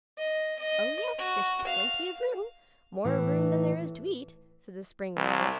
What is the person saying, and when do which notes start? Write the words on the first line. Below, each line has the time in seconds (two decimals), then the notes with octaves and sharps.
"Oh, yes, there's plenty of room--more room than there is to eat," said the spring rabbit.
0.18 D#5
0.60 D#5
1.18 F#4
1.67 F5
3.05 A2 E3
5.16 C2